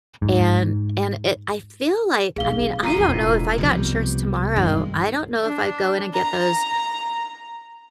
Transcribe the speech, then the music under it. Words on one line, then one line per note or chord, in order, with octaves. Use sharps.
and and it I feel like I mean, I don't know if I got insurance tomorrow, I don't know if I'd go in and get those
G#2
B1 C4 G#4 F5 G7
A2 D#3 F4 A#5 D#7
E1 G#3
C2 B2 F3 G3
G2 D#3 G#3 C4
D4
A#5